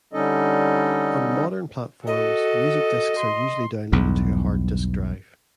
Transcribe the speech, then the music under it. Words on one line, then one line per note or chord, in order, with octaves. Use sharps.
On modern platforms, music disks are usually downloaded to a hard disk drive.
D3 G3 C#4 D#4 A4 D#5
F#4 A4 D#5
C6
B1 E2 G2